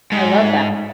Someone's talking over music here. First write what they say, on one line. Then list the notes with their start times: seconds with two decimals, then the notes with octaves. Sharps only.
I love that.
0.12 G#2